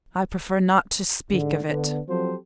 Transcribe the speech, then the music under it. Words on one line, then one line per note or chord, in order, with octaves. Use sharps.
I prefer not to speak of it.'
G#2 D3
D3 B3 D4
F3 F#3 C4 G4 A4 C5